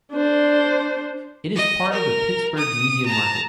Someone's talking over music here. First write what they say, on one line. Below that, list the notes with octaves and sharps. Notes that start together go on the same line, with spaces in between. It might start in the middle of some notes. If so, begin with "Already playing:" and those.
It is part of the Pittsburgh Media Market.
D4 C5
D#5
A#4
D#6
A5 A#5